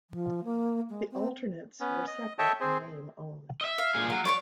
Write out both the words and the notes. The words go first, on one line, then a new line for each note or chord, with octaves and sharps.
The Alternates were separate in name only.
F3
A#3
G#3
C4
B3 C#4
D#5
A4 C#5 D#5 E5 G5 A5
C4 G#4 C5
D#5 E5
F5
A#2 G#4
F#3 F5
C#5 D5 C6 C#6